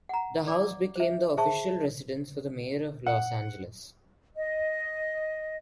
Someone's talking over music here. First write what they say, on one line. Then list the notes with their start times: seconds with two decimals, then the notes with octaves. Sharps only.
The house became the official residence for the mayor of Los Angeles.
0.09 F#5 A#5
0.47 D5 D6
0.96 C5 E5
1.37 G#4 C5 E5 A5 C#6
3.06 F#5
4.36 D#5